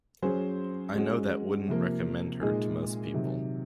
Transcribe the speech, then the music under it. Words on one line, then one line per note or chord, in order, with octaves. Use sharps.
I know that wouldn't recommend her to most people.
F#3 C#4 G#4 C5
G#3 C#4 F#4
C3 F3 A#3
A#2 G#3 D#4 G#4
C3 D#3 F#3